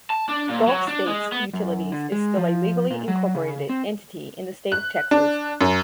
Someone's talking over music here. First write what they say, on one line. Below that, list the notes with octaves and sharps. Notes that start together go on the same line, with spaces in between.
Gulf States Utilities is still a legally incorporated entity in the state of Texas.
A5
D4
A#2
F#3
D4
G#3
B3
F#2
D3
G#3
F3
A#2
F#3
C#3
C4
F#6
D4
F#2